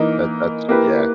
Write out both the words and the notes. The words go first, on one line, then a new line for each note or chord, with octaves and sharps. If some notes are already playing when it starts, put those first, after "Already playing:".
That that's yeah.
Already playing: E3 A#3 D#4 A#4
A#3 E4 G4 B4